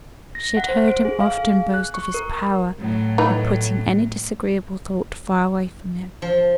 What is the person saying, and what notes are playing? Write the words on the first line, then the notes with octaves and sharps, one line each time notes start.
She had heard him often boast of his power of putting any disagreeable thought far away from him.
A#6
F#5
C5
D7
G#4
F5
G#4
F#6
C#6
A#4
A2 F#3 A3
E3 D#4 B4
F3